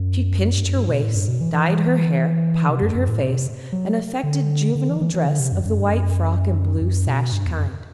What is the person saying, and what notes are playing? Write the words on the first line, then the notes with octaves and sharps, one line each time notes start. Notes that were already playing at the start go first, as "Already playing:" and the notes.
She pinched her waist, dyed her hair, powdered her face, and affected juvenile dress of the white frock and blue sash kind.
Already playing: F#2
G2
F#2
G2
B2
A2
G2
B2
E3
E3
C3
F#2
F#2
A2
C3
B2
C3
F#3
D3
D3
E3
E3
E3
D3
C3
F#2
F#2
G2
F#2
F#2
B2
G2
E2
F#2